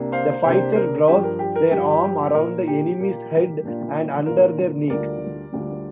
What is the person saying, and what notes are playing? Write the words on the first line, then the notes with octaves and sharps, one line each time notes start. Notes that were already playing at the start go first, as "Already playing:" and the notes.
The fighter wraps their arm around the enemy's head and under their neck.
Already playing: C2 C3 A#3 D4
C5 F5
C2 C3 A#3 D4 G4 C5
C5
A#4
G2 F3 D4 G4
A#4
G4
A#4
G2 F3 D4 G4
G4
A#2 A#3 F4 A#4
G4
A#2 A#3 F4
A#2 A#3 D4 F4
A#2 A#3 D4 F4 A#4
D2 D3 G3 D4 F4 A#4 D5
D2 D3 G3 D4 F4